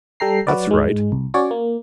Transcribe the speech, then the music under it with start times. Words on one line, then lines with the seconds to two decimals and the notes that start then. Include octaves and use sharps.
That's right.
0.20 G3 A4 G5 A#5 C7
0.47 F#3 F#4 B4 D5
0.67 G#2 G#3
1.12 C2
1.34 C#4 F#4 C#5 D5
1.51 A#3